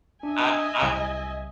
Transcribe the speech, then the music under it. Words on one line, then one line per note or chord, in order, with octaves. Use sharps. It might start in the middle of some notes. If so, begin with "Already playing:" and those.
I I
D4 D#5 E5 G#5
C2